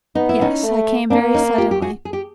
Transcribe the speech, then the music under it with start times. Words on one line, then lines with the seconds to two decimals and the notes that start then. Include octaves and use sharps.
"Yes, I came very suddenly."
0.15 B3 D#4
0.29 E4
0.41 C#4 D#4
0.63 A3
1.10 A#3 C4 D4
1.34 C#4 D#4
1.58 F4 G4
1.71 G4
1.82 F#4 G#4
2.05 G#4
2.13 G4